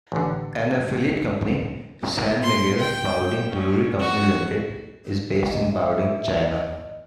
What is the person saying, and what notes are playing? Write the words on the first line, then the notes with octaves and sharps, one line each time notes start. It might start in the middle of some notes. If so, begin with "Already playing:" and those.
An affiliate company, San Miguel Baoding Brewery Company Limited, is based in Baoding, China.
A1 D3
C6
G5
C#4
F#4
B4
D#5
E5
D#5